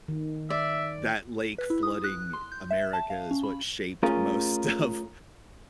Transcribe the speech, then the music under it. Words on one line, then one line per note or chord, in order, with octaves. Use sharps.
that lake flooding America is what shaped most of
D#3
D5 E5
B4
E4
D#6
F#6
C6
G6
E5
A5
F5
C#4
B5
A3 C#4 F4 G#4 A#4